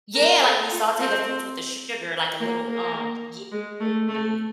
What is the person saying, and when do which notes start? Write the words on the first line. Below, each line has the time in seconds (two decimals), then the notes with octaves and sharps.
Yeah, like, when you saute the fruits with the sugar, like, a little um Y what you mean.
0.14 A#4
0.43 A4
0.71 F4
0.99 C4
2.40 A#3
2.68 A#3
3.52 G#3
3.80 A3
4.08 A3